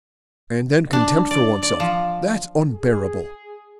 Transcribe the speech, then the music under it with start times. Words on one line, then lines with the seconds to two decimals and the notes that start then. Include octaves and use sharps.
And then contempt for oneself, that's unbearable.
0.93 D4
1.31 D5
1.63 D5
1.80 F3
2.70 G#4